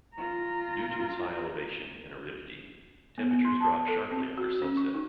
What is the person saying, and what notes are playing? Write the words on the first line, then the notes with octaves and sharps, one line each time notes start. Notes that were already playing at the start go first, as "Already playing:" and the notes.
Due to its high elevation and aridity, temperatures drop sharply after sunset.
F4 A#5
B3
B3
C6
A5
A4
C4
F#4
C#4
C#6
D#4